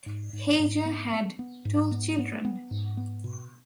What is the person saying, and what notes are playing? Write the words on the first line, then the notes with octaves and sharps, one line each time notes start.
Hager had two children.
G#2
G#2
G#2
B3
B3
B3
G#2
B3
B3
B3
G#2
B3
B2